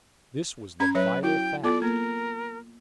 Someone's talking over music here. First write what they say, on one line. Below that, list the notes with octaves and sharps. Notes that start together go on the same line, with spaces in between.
This was the vital fact.
C#4 A#5 B5 G#6
F#3 B4 C#5 E5
E4 F#4 G5
B3 F4 A4 D5
A#3 A#4